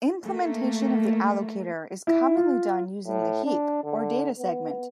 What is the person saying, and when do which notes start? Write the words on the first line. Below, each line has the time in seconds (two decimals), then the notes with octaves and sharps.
Implementation of the allocator is commonly done using the heap, or data segment.
0.22 A3 A#3
2.07 E4
2.37 F4
3.06 A2
3.45 D4
3.83 D3
4.39 B3